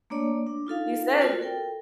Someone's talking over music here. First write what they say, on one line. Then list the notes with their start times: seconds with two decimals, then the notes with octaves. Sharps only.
you said,
0.10 A3 A#3 D4 C#5 D5
0.47 D4
0.67 D#4 F4 A4 F5
1.21 F4 F#4 A4 A#4 C5 D5
1.41 A4 A#4 G5